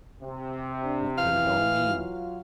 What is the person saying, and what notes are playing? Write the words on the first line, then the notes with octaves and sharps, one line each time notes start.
What could it all mean?
C3
D4
E3 F5
F#3 F4